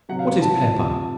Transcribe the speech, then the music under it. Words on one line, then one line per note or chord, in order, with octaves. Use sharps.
What is Pepper?
C3 F#3 F#5
F5
A#2 F3 A5
C3 F3